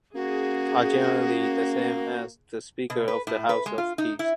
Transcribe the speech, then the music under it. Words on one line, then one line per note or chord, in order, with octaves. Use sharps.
Are generally the same as the Speaker of the House of Keys.
A#3 C#4 F#4 G#4
B2
B4
A2
B4
G#3
F4
D#4
E4